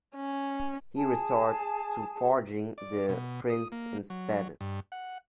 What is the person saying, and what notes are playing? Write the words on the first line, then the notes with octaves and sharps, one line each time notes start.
He resorts to forging the prints instead.
C#4
G#4 A5
D5
B2
D#6
A#3
F#3
G2
F#5